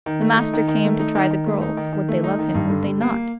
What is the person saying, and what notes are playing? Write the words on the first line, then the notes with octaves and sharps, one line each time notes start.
The master came to try the girls: Would they love him, would they not?
D#3
A3
D#4
D#3
D#3
A3
D#4
D#3
D#3
A3
D#4
D#3
D#3
A3
D#4
D#3
G2
D3
G3
A#3